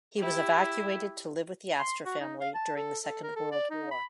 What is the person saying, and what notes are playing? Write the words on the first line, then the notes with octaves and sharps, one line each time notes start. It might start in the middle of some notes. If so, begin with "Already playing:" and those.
He was evacuated to live with the Astor family during the Second World War.
E4 G4
C6
F#4
D#4
F5
A5
A4
A4
A#4
A4
D5
D#4
B5